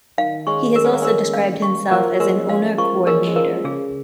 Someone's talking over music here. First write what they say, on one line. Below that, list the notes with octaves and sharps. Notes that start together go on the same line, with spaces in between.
He has also described himself as an owner-coordinator.
D#3 F5
G#3 C#4 C#6
A#4
C#4
A#3
G#3 C#4 A#4
F5
C#6
F3 A#3 A#4
G#3 C#4 A#4
G#3 C#4 F5
F3 A#3 C#6
G#3 C#4 A#4
G#3
F3 A#3 A#4
C#3 G#4